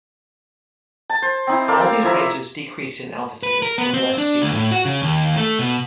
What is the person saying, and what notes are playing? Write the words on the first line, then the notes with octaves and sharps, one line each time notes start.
All these ranges decrease in altitude from west to east.
A5
C5
C4 D#4 E4
A4 A#4 D5 F5
F3 E4 E5 A#5
B4
A#4
B3
C4
D4
D2
A2
F#4
C#3
D#2
A3
B2